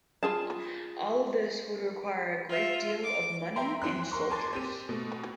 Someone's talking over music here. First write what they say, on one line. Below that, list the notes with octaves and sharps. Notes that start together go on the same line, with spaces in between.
All of this would require a great deal of money and soldiers.
F4 G#4 A5
F4 E5
D6
B4 E5 G5 A#5 C6
E3 C4 C6 F#6
A#4 C6 C#6
G#5 A5 C6 D6 A6
C4 G4 D#7
B2 A3